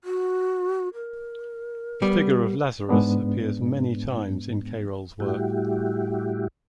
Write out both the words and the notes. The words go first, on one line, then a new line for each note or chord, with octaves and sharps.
The figure of Lazarus appears many times in Cayrol's work.
F#4
A#4
G3 B3
G#2 G#3 B3 D4
A2 G3 E4 F#4 G4